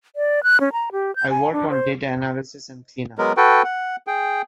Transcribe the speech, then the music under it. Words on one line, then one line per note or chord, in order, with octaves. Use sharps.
I work on data analysis and cleanup.
D5
F#6
C#4
A#5
G4
G6
G#5
D4
C5
F#3 G#3 B3 A#4
F#4 A4 B4 G5
F#5
G#4 G5